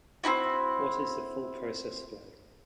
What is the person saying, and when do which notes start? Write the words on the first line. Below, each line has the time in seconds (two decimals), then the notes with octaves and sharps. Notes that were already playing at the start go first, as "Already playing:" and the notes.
What is the full process flow?
0.24 C4 D#4 E4 F#4